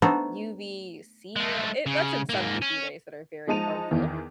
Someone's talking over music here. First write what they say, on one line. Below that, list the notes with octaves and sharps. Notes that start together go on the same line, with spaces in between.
UVC ray it lets in some UV rays that are very harmful,
A3 B3 D4 D#4 C5 C#5
G#3 A3
C#3
G#2 A#3
C#4
F3 G#3 D#4 A5 D#7 F7
E2 D#3 E3